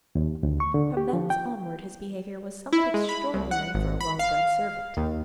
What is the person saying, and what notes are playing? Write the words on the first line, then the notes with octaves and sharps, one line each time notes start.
From thence onward his behaviour was somewhat extraordinary for a well-bred servant.
D#2
D2
C#6
D3
G4
F3
G5
E4
G#3
B5
C2
F#5
G#1
B5
F5
D#2